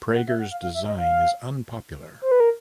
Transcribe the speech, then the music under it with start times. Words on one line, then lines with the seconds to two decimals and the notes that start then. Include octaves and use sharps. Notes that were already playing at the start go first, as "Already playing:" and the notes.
Prager's design is unpopular.
0.15 F#5
0.28 E5
0.39 F#5
0.51 F5
0.62 F5
0.74 E5
0.87 D#5
0.98 F5
2.22 C5
2.31 B4
2.40 A#4